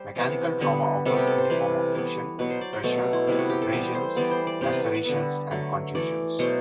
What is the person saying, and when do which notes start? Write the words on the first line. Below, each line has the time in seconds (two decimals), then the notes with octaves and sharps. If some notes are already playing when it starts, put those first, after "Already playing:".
Mechanical trauma occurs in the form of friction, pressure, abrasions, lacerations and contusions.
Already playing: G3 C5
0.16 C3 E3 B3
0.61 D3 G3 B3 B4
1.05 C3 G3 B3 A4
1.16 G4
1.27 A4
1.38 C5
1.50 C3 E3 G3 B4
1.95 E3 B3
2.39 B2 F#3 B3 B4
2.50 C5
2.61 D5
2.73 C5
2.83 B2 F#3 A3 A4
2.98 F#4
3.13 E4
3.27 C3 G3 B3 E4
3.39 F#4
3.50 G4
3.62 A4
3.72 E3 G3 B3 C5
3.94 C5
4.16 E3 G3 B3 D5
4.31 C5
4.47 D5
4.61 C3 G3 B3 C5
4.73 B4
4.84 A4
4.95 B4
5.05 D3 G3 B3
5.51 D3 F#3 A3
5.95 E3 A3 D5
6.39 B2 F#3 A3 C5